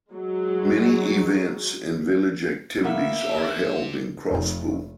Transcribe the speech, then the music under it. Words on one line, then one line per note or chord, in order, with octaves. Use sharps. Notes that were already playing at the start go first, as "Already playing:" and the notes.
Many events and village activities are held in Crosspool.
F#3 G#3
A#3 B3 E4 E5
C3 G4
F1 F2 D#4